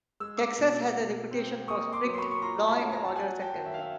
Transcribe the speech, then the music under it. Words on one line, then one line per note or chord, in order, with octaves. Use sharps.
Texas has a reputation for strict "law and order" sentencing.
G#3 E6
D6 E6
B2
B2
C4
A#3 C#6 D#6
C6 D6
F#3
C6
B5 C#6
C#6
F4 A#5 C6
A5 B5
C#4
G#5 A#5
A5
F#3 F#5 G#5
G5 A5
D#3
E5
F5
E5